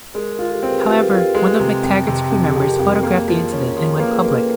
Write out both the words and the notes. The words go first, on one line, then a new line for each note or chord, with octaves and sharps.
However, one of McTaggart's crew members photographed the incident and went public.
G#3 G#4 A#4
G#4 A#4
F4
G4 A4
C4 B4
G#4 A#4
F4 G4 A4
F4
G#3
C3
F2
C3
F2
G#4
G4 A4
F2
G#4 A#4
F2
G#4 A#4
A#3 G#4 A#4
F3
C#4
F3 G#4 A#4
A4 B4
A#3
G#4 A#4
A#3
A4 B4